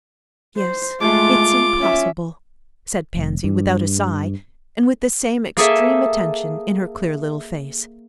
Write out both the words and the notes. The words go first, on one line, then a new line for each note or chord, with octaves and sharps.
"Yes, it's impossible," said Pansy without a sigh and with the same extreme attention in her clear little face.
C5
G#3 A3 F4 D6
C#4 E5
F1
G2
A#3 G#4 A4 E5